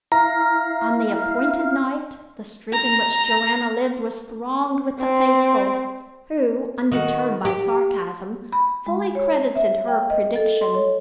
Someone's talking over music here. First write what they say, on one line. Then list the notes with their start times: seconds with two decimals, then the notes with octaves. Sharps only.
On the appointed night, the street in which Joanna lived was thronged with the faithful, who, undeterred by sarcasm, fully credited her prediction.
0.12 E4 F5 A#5
2.73 A#5
5.00 C4
6.92 D#3 F#4
7.45 G4
8.52 B5
8.87 G#3
9.15 C#5
9.56 E5
9.88 G5
10.10 D#5
10.36 A4
10.61 C6
10.75 C#5